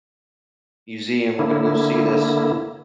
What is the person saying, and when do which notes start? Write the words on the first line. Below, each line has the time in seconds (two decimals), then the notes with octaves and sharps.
museum, we're gonna go see this,
1.39 D3 A#3 E4